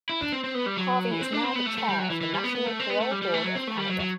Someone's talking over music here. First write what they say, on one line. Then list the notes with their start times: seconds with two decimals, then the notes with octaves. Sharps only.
Harvey is now the Chair of the National Parole Board of Canada.
0.10 E4
0.21 D4
0.32 C4
0.44 C4
0.55 B3
0.66 G3
0.77 F#3
1.11 E3
1.21 C4
1.33 D4
1.44 C4
1.55 B3
1.66 A3
1.78 A3
1.88 G3
1.99 F#3
2.10 E3
2.21 E3
2.34 G3
2.44 B3
2.55 B3
2.66 A3
2.80 C4
2.90 B3
3.00 A3
3.11 G3
3.22 G3
3.34 A3
3.44 F#3
3.55 C4
3.67 A3
3.78 G3
3.89 F#3
4.00 F#3